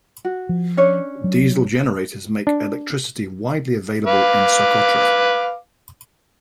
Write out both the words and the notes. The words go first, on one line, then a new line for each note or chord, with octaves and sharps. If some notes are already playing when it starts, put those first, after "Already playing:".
Diesel generators make electricity widely available in Socotra.
F#4
F3
C#4 D4 C#5
F#3
D4
B4 F5 D6